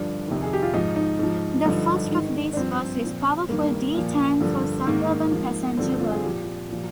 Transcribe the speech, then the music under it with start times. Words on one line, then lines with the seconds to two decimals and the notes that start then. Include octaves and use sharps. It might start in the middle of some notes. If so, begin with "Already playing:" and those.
The first of these was his powerful D-tank for suburban passenger work.
Already playing: G2 D3 F3 D4
0.28 F2 C3 D#3
0.43 G#4
0.53 G4
0.63 F4
0.73 G#2 F3 D#4
0.96 D#4
1.19 G#2 F3
1.65 G2 D3 F3 D#4
2.11 G#2 D#3
2.53 D4
2.57 G2 F3 C4
3.03 A#2 F3
3.49 G2 D#3 A#3
3.94 A#2 F3
4.41 G2 D3 F3
4.87 G#2 D#3 A#3
5.31 G#2 F3
5.77 G2 D3 F3 C4
5.89 C4
6.00 F4
6.12 G#4
6.24 A#2 F3 G4
6.69 A#2 F3